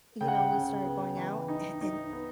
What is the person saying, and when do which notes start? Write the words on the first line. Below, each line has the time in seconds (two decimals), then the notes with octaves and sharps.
you know, we started going out a and
0.21 C#3 G5
0.28 F#5
0.35 G5
0.53 C#3
0.84 B3
1.17 E3
1.48 D#4
1.81 D#4
2.13 B3